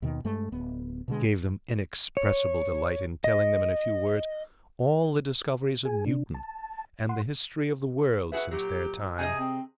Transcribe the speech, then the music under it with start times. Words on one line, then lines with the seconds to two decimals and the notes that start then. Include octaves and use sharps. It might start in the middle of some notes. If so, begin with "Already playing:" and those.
I gave them inexpressible delight in telling them, in a few words, all the discoveries of Newton, and the history of the world since their time.
0.02 D#2 B2 D#3
0.25 G2 G#3 A3
0.52 D1 B3
1.08 B2 D3 G#3
2.17 C#5
3.24 D#5
5.85 G#4 G#5
6.06 C3 D4
6.34 A5
7.09 F#5 C6
8.32 F#4 G#4 B4 E5
8.51 A#2 F#3 G4
9.19 C3 G#4 D#5 G#5
9.40 C4